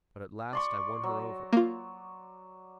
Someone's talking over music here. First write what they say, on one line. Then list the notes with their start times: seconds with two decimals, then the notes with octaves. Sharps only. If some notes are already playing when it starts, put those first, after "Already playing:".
But at last I won her over.
0.53 D5 C6 C#6
1.03 F#3
1.53 A#3 F4